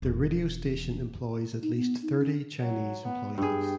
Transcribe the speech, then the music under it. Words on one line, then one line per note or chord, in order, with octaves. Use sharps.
The radio station employs at least thirty Chinese employees.
E1 E2
D#4
B3
D#4
C#4
F#3
B3
G2 G#4 G5